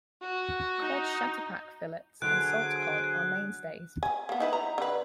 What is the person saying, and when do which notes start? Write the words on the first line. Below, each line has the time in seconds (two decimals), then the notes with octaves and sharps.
Cod shatterpack fillets and salt cod are mainstays.
0.22 F#4
0.80 D#4
2.22 D3 F#3 G#4 C5 G#5 F#6 D7
4.03 G#5
4.29 A#3 B3
4.40 D#4 E4 B4
4.53 A#5
4.78 D3 B4